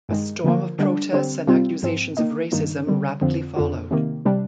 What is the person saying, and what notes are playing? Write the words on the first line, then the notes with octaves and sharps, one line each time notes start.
A storm of protests and accusations of racism rapidly followed.
G2 D#3 G#3 D#4
D3 F3 A#3
D3 G3 D4
D3 G3 C4
C3 G3 C4 F4
G#2 F3 C4
D#3 A#3 D#4
G2 D#3 A#3 D#4
D3 G3 C4
F2 D3 F3 C4
F2 D3 F3
C3 D#3 A#3
C3 G3 D4